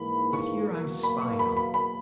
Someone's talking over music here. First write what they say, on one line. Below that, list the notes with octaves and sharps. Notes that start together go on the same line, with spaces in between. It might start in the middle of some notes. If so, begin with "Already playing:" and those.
But here I'm spied on.
Already playing: G#2 E3 A#3 B5
C#6
E2 B2 F#3 A#3
B5
C#6
B5
B5
B5